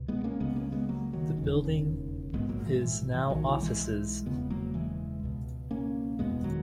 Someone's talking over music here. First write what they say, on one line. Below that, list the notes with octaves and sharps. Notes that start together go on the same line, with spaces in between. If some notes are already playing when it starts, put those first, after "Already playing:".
The building is now offices.
Already playing: C#2 B2
G#3 B3
A#3 C#4
C#2 C#3 G#3 B3
A#3 C#4
G#3 B3
F#3 A#3
D#3 F#3
E1 D#2 C#3
A#1 G#2 G#3 B3
F#3 A#3
E3 G#3
E3
E3
G#3
B1 B2 D#3 F#3
E3
E3 G#3
E1 E2 C#3 G#3 B3
F#3 A#3
E3 G#3
C#2 B2
A#3 C#4
F#1 E2 B2 G#3 B3
D#3 F#3